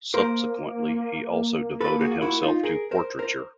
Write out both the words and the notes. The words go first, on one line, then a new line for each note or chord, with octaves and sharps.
Subsequently he also devoted himself to portraiture.
A#3 A#4 C5
A4 B4
F#4 G#4
E4 F#4
D#4 F4
G#4 A#4
A#4 C5
A#4 C5